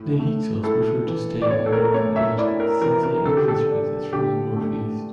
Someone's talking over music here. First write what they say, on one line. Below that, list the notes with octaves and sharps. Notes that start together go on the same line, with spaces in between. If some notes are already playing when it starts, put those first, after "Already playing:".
The Hyksos preferred to stay in northern Egypt since they infiltrated from the north-east.
Already playing: A2
A3
E4 A4
E3
D5
A2 C#5
A4
A#4
A3 C#5
E5
E4 D5
A#4
E3 A#4
A#4
D3 A4
G4
A4
D4
D3 G4
A3